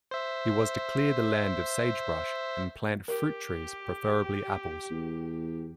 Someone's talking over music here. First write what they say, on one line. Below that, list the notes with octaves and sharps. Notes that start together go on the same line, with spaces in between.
He was to clear the land of sagebrush and plant fruit trees, preferably apples.
C5 E5
G4 A#4
E2